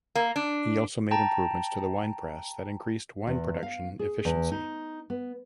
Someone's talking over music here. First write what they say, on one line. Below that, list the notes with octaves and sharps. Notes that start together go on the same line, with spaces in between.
He also made improvements to the wine press that increased wine production efficiency.
A#3
D4
G5 A5 A#5
E2
F5
G#4
E2
D#4
B3